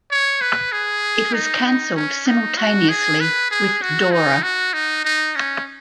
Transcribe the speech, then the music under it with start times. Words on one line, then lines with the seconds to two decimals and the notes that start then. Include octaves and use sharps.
It was canceled simultaneously with "Dora".
0.11 C#5
0.41 B4
0.72 G#4
1.34 D#4
1.66 D#4
1.96 C#4
2.26 D#4
2.58 F#4
2.89 G#4
3.20 B4
3.51 G#4
3.82 F#4
4.12 D#4
4.43 F#4
4.74 D#4
5.04 D#4
5.36 C#4